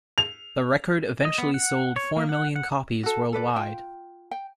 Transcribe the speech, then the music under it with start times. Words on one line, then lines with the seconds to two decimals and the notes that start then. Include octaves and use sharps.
The record eventually sold four million copies worldwide.
0.18 F7
1.25 D#5
1.38 B3
1.54 F#5
1.96 C#5
2.17 A#3
2.29 F#5
2.56 F#5
3.03 F#4 A4
3.33 A4 B4 D5
3.56 F4 G5
4.31 G5